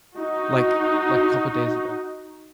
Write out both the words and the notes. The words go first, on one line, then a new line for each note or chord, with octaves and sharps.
like like, couple days ago.
D#4 F#4